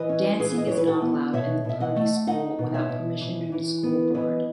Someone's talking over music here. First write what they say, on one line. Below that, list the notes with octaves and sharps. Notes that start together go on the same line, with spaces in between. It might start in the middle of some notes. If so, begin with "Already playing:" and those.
Dancing is not allowed in the Purdy school without permission from the school board.
Already playing: E3 B4 D#5
C#4
E3 G#4 B4
D#5
E3 C#5
B4
F#4 A4
B3
B2 C#5 E5
B2 E5
D#5 F#5
A3
D#4 D#5 F#5
B2
C#5 E5
B2
E3
E3
B3
E3 B4 D#5